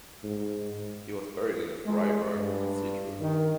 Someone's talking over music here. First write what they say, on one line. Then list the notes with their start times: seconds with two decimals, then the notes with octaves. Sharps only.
He was buried in the Freiberg Cathedral.
0.23 G#2
1.85 G#3
2.33 G2
3.20 D#3